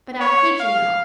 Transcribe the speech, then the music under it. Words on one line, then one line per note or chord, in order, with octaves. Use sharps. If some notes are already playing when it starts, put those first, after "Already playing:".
"But 'ow COULD you know?"
C#5
F5